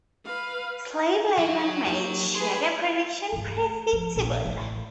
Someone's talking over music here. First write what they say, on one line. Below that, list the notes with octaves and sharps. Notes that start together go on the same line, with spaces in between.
Slave labour made sugar production profitable.
B4 F5
F#3
A#3 D#4 G4
G#4 B4 C6
G#1 G2
A3
F3
A#1
A1